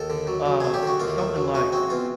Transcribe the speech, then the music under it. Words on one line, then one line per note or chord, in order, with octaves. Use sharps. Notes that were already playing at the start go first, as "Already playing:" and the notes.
uh, something like,
Already playing: D#2 A4
D3
F#3
F#3
A3 G#4
G4
D3 F#4
D#2 F4
A3
F#3
G#3 F#4
C4 F#4
E2 F4